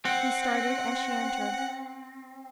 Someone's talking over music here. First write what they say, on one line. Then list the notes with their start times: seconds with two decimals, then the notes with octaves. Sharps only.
He started as she entered.
0.05 C4 F#5